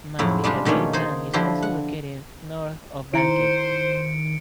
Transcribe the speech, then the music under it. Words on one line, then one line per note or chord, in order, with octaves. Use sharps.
Mazvikadei Dam is also located north of Banket.
F2 A2 C#3 F#3 E4
G3 G#3 D4 F4 G4
B2 D#3 A3 A#3 C#4
D#4 G#4 C5
D3 F3 E4 G4 C6
F#5
D#3 E4 C5 A#5 C#7 D7